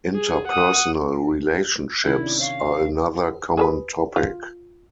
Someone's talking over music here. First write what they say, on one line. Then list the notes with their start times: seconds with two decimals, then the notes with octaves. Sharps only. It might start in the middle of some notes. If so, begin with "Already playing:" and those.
Interpersonal relationships are another common topic.
0.15 G#4
0.48 F#5 D#6
2.04 C3 D#3 E4 E5
2.18 C#4 D4
2.40 C#5 F5
3.57 G#4 A4 B4
4.16 F4